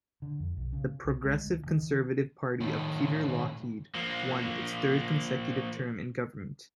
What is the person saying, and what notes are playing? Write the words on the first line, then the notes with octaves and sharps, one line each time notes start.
The Progressive Conservative Party of Peter Lougheed won its third consecutive term in government.
D3
F2
B1
C#3
C2
G#3
D2
D#3
D#3
A2 D#3
F3 A#3